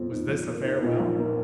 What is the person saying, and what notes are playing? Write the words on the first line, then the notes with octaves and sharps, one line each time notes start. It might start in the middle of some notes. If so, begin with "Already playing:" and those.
Was this a farewell?
Already playing: G1 F2 C4
D#3
A#1
A#3
D#4
A#2
A#1
A#3